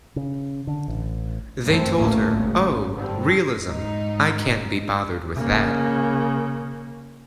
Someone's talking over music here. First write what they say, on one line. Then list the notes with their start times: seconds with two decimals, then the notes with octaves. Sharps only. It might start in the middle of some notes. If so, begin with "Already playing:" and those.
They told her, Oh, realism, I can't be bothered with that.
0.16 C#3
0.67 D3
0.88 A1
1.63 G1 C#2 F#2 E3 A3 C4
1.95 A1 D2 A2 A3 A#3 C#4
2.36 G#1 C#3
2.95 G2 D3 G3 C4
3.63 G#2 D#4
5.35 C#3 A#3